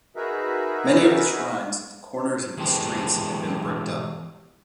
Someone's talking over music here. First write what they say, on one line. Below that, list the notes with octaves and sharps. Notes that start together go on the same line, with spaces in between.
Many of the shrines at the corners of the streets had been bricked up.
D#4 F#4 G#4 A#4 B4 E5
E3 G#3 B3 G4 A4 C5